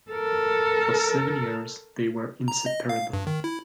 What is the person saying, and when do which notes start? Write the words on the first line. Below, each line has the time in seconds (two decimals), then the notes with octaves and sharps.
For seven years they were inseparable.
0.11 A4 A#4
2.48 A#5
2.66 D#5
2.89 F5
3.13 G2
3.27 D#3
3.44 E4